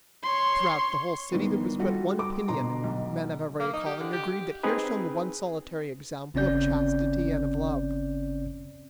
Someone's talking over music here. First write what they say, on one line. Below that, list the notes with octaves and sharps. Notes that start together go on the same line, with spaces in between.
Throughout the whole city there was but one opinion, men of every calling agreed that here shone the one solitary example of chastity and of love!
C#5 C6
C2 D#3 B3
G3 F4 F#4 A4
D6
B2 D3 A#5 C6
B1
A#3
D#4
G4
D3
G4
C4 D#4 G#4 B4
G1 C#3 C4 C#4 D5 G6